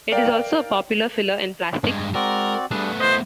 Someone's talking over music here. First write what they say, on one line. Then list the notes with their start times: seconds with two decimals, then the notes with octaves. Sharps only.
It is also a popular filler in plastics.
0.11 A#4 D5 F5 G5
1.84 G2 G#3
2.14 G#3 C4 F#4 A#4 D5
2.71 G3 A3 B3 D4 G#4 B4
3.00 E4 C5 D#5